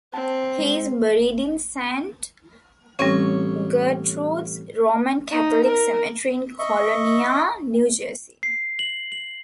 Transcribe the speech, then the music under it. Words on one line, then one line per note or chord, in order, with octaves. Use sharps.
He is buried in Saint Gertrude's Roman Catholic Cemetery in Colonia, New Jersey.
C4 A5
G#3
A1 G3 C4 C#4 C#5 C#6
D#4
A#4
D#5 E5 C#6
C7
F#7
F#7